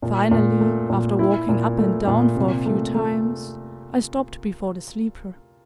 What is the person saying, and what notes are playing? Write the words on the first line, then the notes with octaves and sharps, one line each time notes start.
Finally, after walking up and down for a few times I stopped before the sleeper.
A#2
A#2
A3
A#2
E4
A#2
A3
A#2
C3
A3
A3